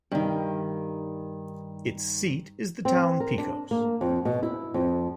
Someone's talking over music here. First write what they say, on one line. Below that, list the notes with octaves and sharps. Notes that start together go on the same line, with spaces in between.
Its seat is the town Picos.
G2 D#3
C4
A#4
D4
A#3
F2
B2
E4
F2